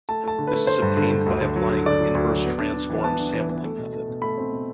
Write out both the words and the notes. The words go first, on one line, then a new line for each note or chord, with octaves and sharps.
This is obtained by applying the inverse transform sampling-method.
A3 A5
A3 A5
D3
B4
A3
A3 C5
G2
D3
D3
D2
D3
F#3
D3
D3 D5
F#3
D2
F#3
B3
D4
D4
E3
B3 A5
D4
E3
B3
A3
B2
A3
B2
A3 B5
C4
B2